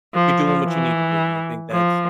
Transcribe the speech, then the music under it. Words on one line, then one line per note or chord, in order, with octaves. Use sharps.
you're doing what you need to do," and I think that's
F3
E3
F3